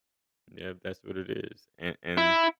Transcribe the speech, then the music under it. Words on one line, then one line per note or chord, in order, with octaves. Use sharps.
Yeah, that's what it is. A and
E4